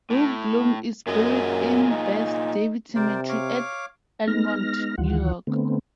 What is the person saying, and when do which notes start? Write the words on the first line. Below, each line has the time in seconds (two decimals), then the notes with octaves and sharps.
Rube Bloom is buried in Beth David Cemetery at Elmont, New York.
0.10 A2
1.07 F#2 A#2 G#4 D#5
1.91 D#4
2.96 C3 A#4 C5 D5
3.29 C#5 F5 D6
4.27 G#3 B3 D#4 F6 A#6
4.98 D2 D#3 E3 F4 F#5
5.47 D3 A3 B3 C4